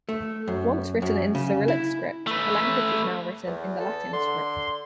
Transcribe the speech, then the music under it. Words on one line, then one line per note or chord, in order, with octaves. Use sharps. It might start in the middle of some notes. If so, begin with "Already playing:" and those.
Once written in Cyrillic script, the language is now written in the Latin script.
A3
F#2
F#2
C#3
E4
A3 B4
E2
A4
D3 C6